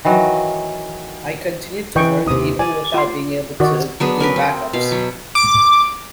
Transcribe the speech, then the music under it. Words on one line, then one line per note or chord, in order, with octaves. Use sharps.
I continued to work even without being able to do backups.
D#3 E3 F#3
E3 D#5 G5 C#6
D#2 C3 D#4 D#6
D5 G#5
F4 C6
D#3 F#4 D5
F#3 B3 D4 G#4
C#4 A#4 B4
C4
B2 F5
F#3
D6